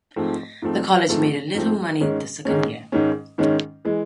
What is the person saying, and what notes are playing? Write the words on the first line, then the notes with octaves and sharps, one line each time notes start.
The college made a little money the second year.
G#2 F3 A3 C4
G#2 F3 A3 C4
G#2 F3 A3 C4
G#2 F3 A3 C4
G#2 D#3 G#3 C#4
G#2 D#3 G#3 C#4
G#2 D#3 G#3 C#4
G#2 D#3 G#3 C#4
E3 G#3